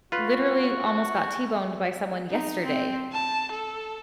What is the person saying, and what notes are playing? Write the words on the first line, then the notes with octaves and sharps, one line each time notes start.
literally almost got t-boned by someone yesterday
F4 F#4 B4
D#4
C4
A5
A4